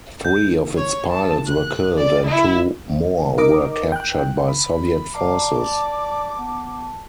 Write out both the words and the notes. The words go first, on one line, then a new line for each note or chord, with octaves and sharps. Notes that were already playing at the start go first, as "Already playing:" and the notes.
Three of its pilots were killed and two more were captured by Soviet forces.
G6
C#5
A5
F#6
D5
E4
D#4 A#4 D#5 D6
G5 F#6
B5
D5 F5 A5 A#5 D6
D5 A5
B3